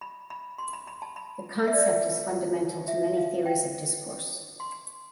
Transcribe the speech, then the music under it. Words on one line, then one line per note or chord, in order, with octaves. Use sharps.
The concept is fundamental to many theories of discourse.
B5
B5
C6
B5
B5
A5
B5
E5
D5
E5
F5
G5
C6